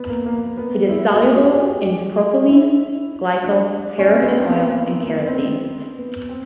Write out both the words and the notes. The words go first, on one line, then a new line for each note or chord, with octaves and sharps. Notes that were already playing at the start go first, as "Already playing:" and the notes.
It is soluble in propylene glycol, paraffin oil, and kerosene.
Already playing: B3
A#3
A#3
B3
E4
F#4
F4
F#4
G4
G#4
G#4
G4
E4
D4
C#4
C4
B3
C4
B3
A#3
B3
A#3
B3
C4
B3
B3
C4